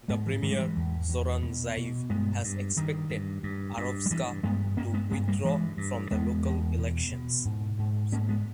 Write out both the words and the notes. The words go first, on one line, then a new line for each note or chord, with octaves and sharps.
The premier Zoran Zaev has expected Arovska to withdraw from the local elections.
G#2 G#3 B3
E3
G#2 D#3
G3
E3
E2
E2
B2
B2
G2 G#3 B3
G2
G2 D#3
G2
G2
G2
G3
G2 E3
G2 G#3 B3
G2 A#3 C#4
G#3 B3
G2 G#3 B3
G3 A#3
G2 E3 G#3
G2
E2 G#3 B3
E2
B2
B2
G#2
G#2
G#2 A#3 C#4
G#3 B3